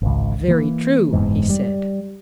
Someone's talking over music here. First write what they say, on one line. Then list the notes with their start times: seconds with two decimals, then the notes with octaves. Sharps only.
Very true, he said.
0.02 G#1 C#2
0.48 E3 A#3
1.13 F#1 E2 G#2
1.50 G3